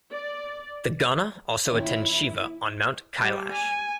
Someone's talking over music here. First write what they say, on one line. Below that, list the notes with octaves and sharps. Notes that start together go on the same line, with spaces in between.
The gana also attend Shiva on Mount Kailash.
D5
A#2 D#3 C#4 E4
G3
G#5